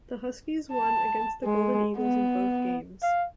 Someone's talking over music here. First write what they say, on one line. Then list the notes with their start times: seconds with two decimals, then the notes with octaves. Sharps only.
The Huskies won against the Golden Eagles in both games.
0.73 A5
1.44 G#3
1.97 B3
3.03 F5